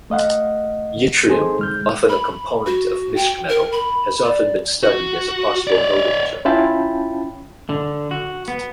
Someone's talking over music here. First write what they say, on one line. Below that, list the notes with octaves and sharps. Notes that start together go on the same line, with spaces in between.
Yttrium, often a component of mischmetal, has also been studied as a "possible nodulizer".
A3 D#5 F5 F#5
C4 D#4 G#4 A4 C5
G#3 F6 G6
B5
F#4
G5
A#4
B5
D5
F#4
C#5 D5
C#4 E4 F4 G5 A5 B5
D3
F#4
B3